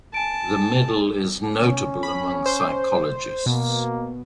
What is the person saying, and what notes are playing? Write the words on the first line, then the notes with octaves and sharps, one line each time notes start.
The medal is notable among psychologists.
G#5 A5 D7
C#4
B5
C5
B2 A#3